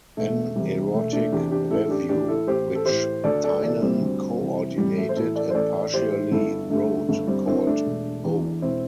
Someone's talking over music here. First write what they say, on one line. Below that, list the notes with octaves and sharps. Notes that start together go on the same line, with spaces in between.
An erotic revue which Tynan co-ordinated and partially wrote, called Oh!
E1 A3
E2 C3 G3
E1 A3
A3 D4
E2 C3 D4 G4
D4 G4
A1 E4 A4
D4 G4
A2 E3 D4 G4
E4 A4
A1 G4 C5
A4
A2 E3 G4 C5
D2 A4 D5
A4 D5
C3 E3 A4 D5
G3 C4
D2
C3 E3
A1 G3
A3
C5
A2 E3 E4 A4
A4 D5
C5
A1 A4 D5
A2 E3 G4 C5
G1 E4 A4
G2 D3 A3
G1 A3
G3 C4
G2 D3 C4 E4
A3 D4
E1
E2 E3
E1 C4 E4